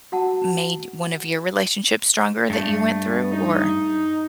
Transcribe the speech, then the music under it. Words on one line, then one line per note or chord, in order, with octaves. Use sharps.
made one of your relationships stronger that you went through? Or
F#4 F#5 A5
G2 A3
D#4